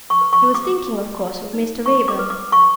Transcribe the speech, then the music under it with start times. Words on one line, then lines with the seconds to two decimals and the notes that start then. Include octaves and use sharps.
She was thinking, of course, of Mr. Raeburn.
0.10 C#6
0.21 B4
0.33 C#6
0.54 F#4 D6
0.87 F#4
1.20 G4
1.53 D#4
1.86 D#4 C#6
2.08 D6
2.19 B4
2.30 D6
2.52 G4 C#6